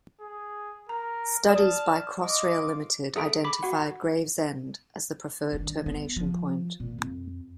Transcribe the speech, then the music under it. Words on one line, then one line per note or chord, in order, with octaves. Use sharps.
Studies by Crossrail Limited identified Gravesend as the preferred termination point.
G#4
A#4 A#5
D5 A5 D#6 F6 E7
F4 D#5 D6
G#4 A4 E5 D7
B5 D6 B6
F#4 F#5
D#3 D4
B3
F3
A#2 D#3
F2